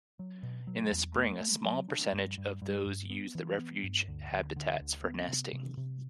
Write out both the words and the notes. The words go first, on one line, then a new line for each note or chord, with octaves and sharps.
In the spring, a small percentage of those use the refuge habitats for nesting.
F#3
B2
F#3
E2
A3
A3
F#3
D4
G2
G2
G2
G2
B3
E3
B3
G2
D2
D2
D3
D2
B3
C3
C3
C3